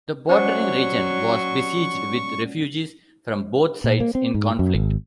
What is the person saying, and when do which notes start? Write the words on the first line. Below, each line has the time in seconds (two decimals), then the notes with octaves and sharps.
The bordering region was besieged with refugees from both sides in conflict.
0.29 F#3 C#4 C5 D5 F#5 C#6
3.84 A#2
4.00 A#3
4.15 C4
4.34 G#2
4.59 F#2
4.74 G#1